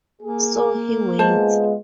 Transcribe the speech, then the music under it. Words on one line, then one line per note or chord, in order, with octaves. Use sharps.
So he waits.
A#3 G#4
G#3 B3 F4 G#4 C5 A5